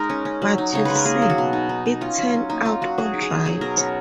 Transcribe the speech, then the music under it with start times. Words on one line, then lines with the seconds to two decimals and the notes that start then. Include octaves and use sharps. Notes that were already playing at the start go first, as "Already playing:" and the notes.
But you’ll see, it’ll turn out all right.
Already playing: G#3 D#4 A#4
0.09 C#4
0.25 C#4
0.42 F#3
0.58 D#4
0.73 C#3 C#5
0.85 G#3 B4
0.95 A#4
1.05 A#3 G#4
1.22 F#3
1.30 F#4
1.38 B2
1.53 D#4
1.69 D#4
1.86 D#4
2.01 C#4 F4
2.18 F#3
2.34 C#4
2.49 A#3 D#4
2.65 D#4 F4
2.81 F#3 F#4
2.98 F#3 G#4
3.14 D#4
3.22 G#4
3.30 D#4
3.46 F#3 G#4
3.61 B2 A#4
3.77 C#4 C#5